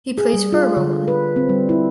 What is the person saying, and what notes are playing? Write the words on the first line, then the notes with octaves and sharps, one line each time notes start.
He plays for Roma.
G#4
G3
F4
D3
B4
C4
G3
E4